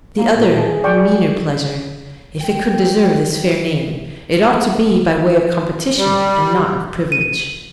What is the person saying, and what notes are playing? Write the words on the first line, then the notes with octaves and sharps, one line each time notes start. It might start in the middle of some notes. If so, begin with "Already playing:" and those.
The other and meaner pleasure, if it could deserve this fair name, it ought to be by way of competition, and not of privilege.
A#3
A#2
G#4 A5
D5 G5 C#6
G3 G5
G3
D#7